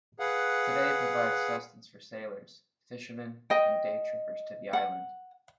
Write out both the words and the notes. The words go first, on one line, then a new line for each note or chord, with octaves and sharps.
Today it provides sustenance for sailors, fishermen and day-trippers to the island.
G#4 B4 F5 F#5
D#5 G5
F#5